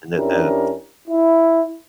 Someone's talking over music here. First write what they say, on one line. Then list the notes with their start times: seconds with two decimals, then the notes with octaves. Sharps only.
And, eh, that
0.15 F2 C#4 D4 E4 G4 A#4
1.08 E4